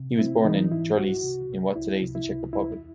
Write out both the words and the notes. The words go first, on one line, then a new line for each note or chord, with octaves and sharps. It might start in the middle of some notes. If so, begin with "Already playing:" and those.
He was born in Chrlice in what today is the Czech Republic.
Already playing: C3
C4 E4
E3 D#4
G#2 E4
C2 F#4
C3
C2
C#2 E4
C3
E4
C#2
E2 E4